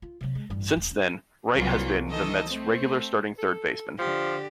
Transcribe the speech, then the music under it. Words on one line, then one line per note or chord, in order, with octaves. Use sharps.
Since then, Wright has been the Mets regular starting third baseman.
F4
C3 F#3
G#3
A1 G2
D#1 C#2
C#4
C2 E3 F#3 A#3 F4
D#3 E3 A4 D#5
A3 C4
A4
D3 F3 G4